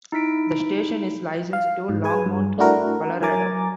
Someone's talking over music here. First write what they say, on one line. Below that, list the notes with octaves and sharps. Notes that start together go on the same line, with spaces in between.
The station is licensed to Longmont, Colorado.
D#4 E4 B6 D7
F5
G#2
G#4 B4 G#5
G2
A3 D4 E4 F#4 A#4
F#3 A#4 G#5 A#5 D6 A6